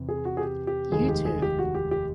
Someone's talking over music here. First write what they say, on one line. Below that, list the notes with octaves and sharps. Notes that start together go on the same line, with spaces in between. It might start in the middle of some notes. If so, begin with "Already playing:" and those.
You too.
Already playing: E2 C3
G#4
F#4
G#4
G4
G4
F1 D#2 D#3 G#3 G#4
G4
G#4
G4
F#4
G4
G4